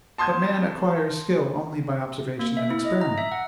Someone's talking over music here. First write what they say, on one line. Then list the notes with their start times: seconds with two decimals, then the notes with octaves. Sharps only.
But man acquires skill only by observation and experiment.
0.18 A5 C6 D#6 G6 G#6
2.39 A#3
2.57 E5
2.70 E4
2.85 D#5
3.01 A#5
3.18 E5
3.32 F#5